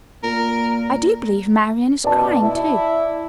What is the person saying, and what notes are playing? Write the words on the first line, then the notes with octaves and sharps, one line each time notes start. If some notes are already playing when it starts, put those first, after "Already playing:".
I do believe Marian is crying, too.
A#2 A#4
B2 D5 A5
E4